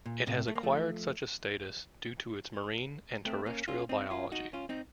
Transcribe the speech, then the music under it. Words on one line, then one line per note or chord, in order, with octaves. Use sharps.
It has acquired such a status due to its marine and terrestrial biology.
A#2
A2 C3
A3
A#3
F3 A3
A3 C4
A#3 C#4
C#4 F4
C4 D#4
C#4 F4
D#4 F#4
C#4 F4
C4 D#4